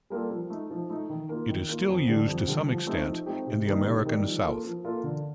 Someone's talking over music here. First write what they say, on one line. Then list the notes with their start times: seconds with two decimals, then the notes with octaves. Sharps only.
It is still used to some extent in the American South.
0.10 G3 A#3 F4 A4
0.30 F3
0.50 A3 D#4
0.70 F3
0.90 A3 D#4
1.10 D#3
1.29 A#3 F4
1.49 D#3
1.69 A#3 F4
1.88 F2
2.08 D3 G3
2.27 F2
2.47 D3 G3
2.67 F3
2.87 A3 C4 D#4 G4
3.07 F3
3.26 A3 C4 D#4 G4
3.46 C3
3.66 D#3 G3 A#3 D#4
3.86 C3
4.05 D#3 G3 A#3 D#4
4.25 F3
4.45 A#3 F4 A4
4.65 F3
4.85 A#3 F4 A4
5.04 D3